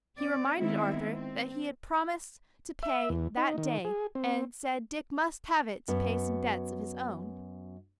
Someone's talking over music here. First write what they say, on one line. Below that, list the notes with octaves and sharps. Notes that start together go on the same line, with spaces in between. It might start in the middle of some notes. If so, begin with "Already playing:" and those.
He reminded Arthur that he had promised to pay that day, and said Dick must have it to pay some debts of his own.
C4 D5
D#3 G#3 B3 C4 E4
C4
E5
E2
D#4
D#3
G#4
C4
F#2 B3